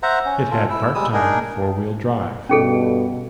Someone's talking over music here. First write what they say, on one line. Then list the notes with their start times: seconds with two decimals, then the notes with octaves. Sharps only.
It had part-time four-wheel drive.
0.03 C5 E5 F#5 A#5
0.26 C#4
0.51 F4 A4
0.70 E4 E6
0.95 G3 G#3 D#6 E6
1.13 D4 D#4 G#4 A#4
2.49 G2 B2 C#4 G#4 A4